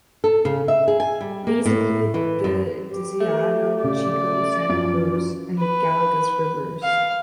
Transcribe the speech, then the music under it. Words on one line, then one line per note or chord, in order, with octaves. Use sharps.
These include the Deseado, Chico, Santa Cruz, and Gallegos Rivers.
A4
C#3
E5
G#4
G#5
G3
A#3
A2
E3
F#2
G4
A3
C#3 D5
C#4
F#2 F3 C#4 D7
B4
F5